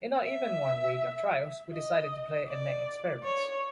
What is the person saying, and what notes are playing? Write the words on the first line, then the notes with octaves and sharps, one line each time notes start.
In not even one week of trials we decided to play and make experiments.
E5
D#5
D5
C#5